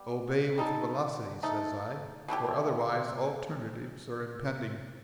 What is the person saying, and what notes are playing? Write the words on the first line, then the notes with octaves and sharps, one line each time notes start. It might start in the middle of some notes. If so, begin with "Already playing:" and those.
Obey with velocity,' says I, 'for otherwise alternatives are impending.
Already playing: G3 B3
G3 D#4 A4
A3 D#4 A4
B2 A3 E4 G4